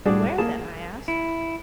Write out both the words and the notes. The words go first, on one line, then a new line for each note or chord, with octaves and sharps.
"Where then?" I asked.
A2 G3 D4 F#4 G#4
A#3 G#4 A5
E4